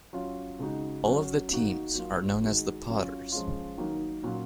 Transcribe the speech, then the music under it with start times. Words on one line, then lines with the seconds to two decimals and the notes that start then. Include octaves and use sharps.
All of the teams are known as the Potters.
0.13 F#3 C#4 F4
0.59 C#3 G#3 D#4 F#4
1.05 F#3 C#4 F#4
1.50 D#3 A#3 D#4 F#4
1.95 F#3 A#3 F4
2.42 D#3 G#3 D#4 F#4
2.87 F#3 C#4 F4
3.32 F3 G#3 C#4 F4
3.78 D#3 F#3 A#3 D#4
4.23 A#2 F#3 C#4 F4